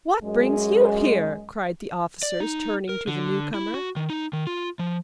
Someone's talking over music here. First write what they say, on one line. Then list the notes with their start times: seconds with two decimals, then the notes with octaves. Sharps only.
"What brings you here?" cried the officers turning to the newcomer.
0.23 F#2 G#3
2.23 D5
2.40 D#4
2.89 A#4
3.08 D3
3.54 E4
3.74 F#4
3.96 D#3
4.10 D#4
4.33 D#3
4.47 F4
4.79 F3